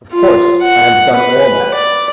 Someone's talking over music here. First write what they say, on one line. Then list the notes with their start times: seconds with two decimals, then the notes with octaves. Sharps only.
Of course, I have done all that.
0.12 F4
0.62 F#5
1.16 B4
1.74 D5